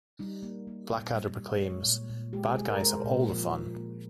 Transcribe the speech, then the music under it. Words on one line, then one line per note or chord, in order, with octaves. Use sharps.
Blackadder proclaims, Bad guys have all the fun.
G3 D#4
A#3
A#3
A#2
G3
A#2
G#3 C#5
A#2
A#2
G#3 G4
G#4
G#3
A#4
G#3 A#4
C5
A#2
F3
F3
A#3